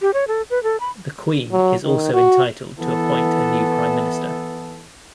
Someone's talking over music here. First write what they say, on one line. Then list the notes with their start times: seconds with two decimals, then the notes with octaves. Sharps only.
The Queen also is entitled to appoint a new Prime Minister.
0.01 G4
0.14 C#5
0.28 A4
0.50 B4
0.63 A4
0.80 B5
1.52 F#3
1.85 D#3
2.14 F#4
2.80 E3 B3 A4